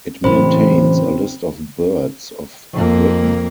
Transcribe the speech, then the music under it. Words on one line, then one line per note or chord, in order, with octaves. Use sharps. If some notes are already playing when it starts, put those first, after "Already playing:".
It maintains a list of birds of Britain.
F#1 A2 E3 C4 C5 B5
F2 A#3